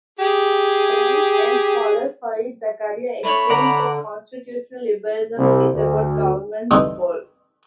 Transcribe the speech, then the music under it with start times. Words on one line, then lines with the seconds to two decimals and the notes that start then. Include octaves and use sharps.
The journalist and scholar Fareed Zakaria explains that constitutional liberalism is about government's goals.
0.19 G4 G#4
3.23 A3 D4 C#5 B5
3.50 D3 D5 F#5 A#5
5.38 C2
5.73 D2
6.71 G2 E3 C4 D#4 A4